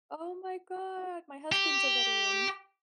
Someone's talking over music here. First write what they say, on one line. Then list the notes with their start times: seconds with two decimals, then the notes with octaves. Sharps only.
Oh my god! My husband's a veteran.
1.52 G4